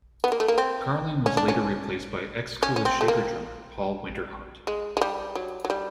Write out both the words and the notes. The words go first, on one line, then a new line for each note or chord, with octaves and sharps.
Carling was later replaced by ex-Kula Shaker drummer Paul Winter-Hart.
B3
A#3
A3
A#3
C4
C#4
D4
C#4
C#4
C#4
C4
A3
A#3
G#3
G#3
G3
F#3
F#3
G3